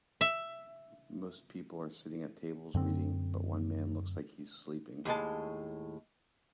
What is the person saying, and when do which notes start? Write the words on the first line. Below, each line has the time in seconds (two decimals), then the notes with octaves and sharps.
Most people are sitting at tables reading but one man looks like he 's sleeping.
0.21 E5
2.74 F#2 D3 C4
5.05 D#2 A2 G#3 A5